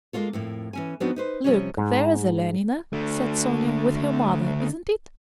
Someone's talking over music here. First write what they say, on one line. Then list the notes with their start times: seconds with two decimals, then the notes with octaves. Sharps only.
"Look, there's Alenina," said Sonya, "with her mother, isn't it?"
0.13 G#3 A#3 C#4 F4 A4
0.33 F2 A2 A#3
0.73 E3 C#4 G#5
1.00 F3 B3 C4 D4 D#4 F#4
1.16 D#4 B4 C5
1.44 C3 F3 G3 C#4 C#5
1.77 G#2
2.93 D3 A3